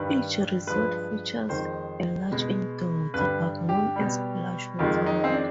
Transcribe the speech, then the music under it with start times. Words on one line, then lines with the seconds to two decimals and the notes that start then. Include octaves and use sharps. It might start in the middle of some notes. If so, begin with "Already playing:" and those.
Each resort features a large indoor waterpark known as Splash Waterworld.
Already playing: G2 D#3 G3 B4
0.67 G2 F3 G#3 B4
1.49 F2 D#3 G#3 C5
2.32 B2 G#3
3.14 G2 D3 G3 B4
3.69 G4
3.96 B2 G3
4.79 F2 D#3 G#3 F4
5.06 D#4
5.24 C4
5.33 D4